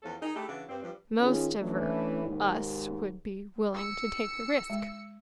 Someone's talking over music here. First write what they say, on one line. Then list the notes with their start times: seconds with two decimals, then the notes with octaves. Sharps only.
"Most of--er--us would be willing to take the risk."
0.03 E2 F3 C#4 A4
0.21 D#4 G#4
0.35 A3 D4 E4 G4 G#4
0.48 C#3 E3 D4 F#4 G#4
0.69 G2 C4
0.82 G2 F3
1.20 D#3 C#4 F4 G#4
1.61 E3 A3 C#4 D4 E4
2.25 D#2 G#2
3.74 E6 C#7
4.70 G#3